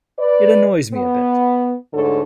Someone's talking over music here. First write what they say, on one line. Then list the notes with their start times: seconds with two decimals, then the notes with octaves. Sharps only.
It annoys me a bit.
0.18 B4 D5
0.94 B3
1.93 D2 G#2 D3 A4 C#5